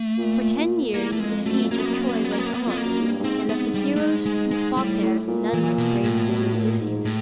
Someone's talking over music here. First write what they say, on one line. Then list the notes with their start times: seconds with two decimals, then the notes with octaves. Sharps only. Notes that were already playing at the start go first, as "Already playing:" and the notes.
For ten years the siege of Troy went on, and of the heroes who fought there, none was braver than Odysseus.
Already playing: A3
0.18 A#2
0.94 E2 A#3
1.12 A3
1.20 F2 G#3
1.46 F#2 A3
1.63 F2
1.71 F#2 A#3
1.78 B3
1.86 A#3
1.94 B3
2.01 A#3
2.09 B3
2.16 A#3
2.24 B3
2.32 A#3
2.39 B3
2.46 A#3
2.54 B3
2.62 A#3
2.66 F2 B3
2.77 A#3
2.86 F#2
3.00 G#2
3.05 G2
3.19 G2
3.24 G#2 C4
3.49 B3
3.74 G3
3.96 A3
4.00 G#3
4.26 G#3
4.51 G#3
4.76 A2 G3
5.02 A2
5.19 A2
5.28 A#2
5.53 E3
5.78 B2
6.04 A2
6.30 B2
6.55 A#2
6.80 G#2
7.05 A2